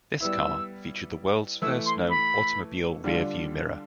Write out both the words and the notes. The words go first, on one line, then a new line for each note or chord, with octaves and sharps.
This car featured the world's first known automobile rear-view mirror.
G3 B3 E4 E6
E3 A3 E4 E6
C6
B5
D3 G3 D4 F4